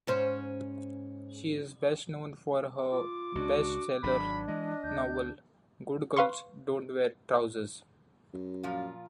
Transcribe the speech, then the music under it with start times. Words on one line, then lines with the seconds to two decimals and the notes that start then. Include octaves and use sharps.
She is best known for her best seller novel "Good girls don't wear trousers".
0.07 G#2 C#4 C5
2.92 F4 D6
3.35 C#2 D4 F#4
4.03 G#1 F#3 D4 B5
4.48 E3 G#3 D#5
4.84 D2 G6
6.17 B4 F5 C6 C#6
8.33 F#2
8.63 A#2 F3 F4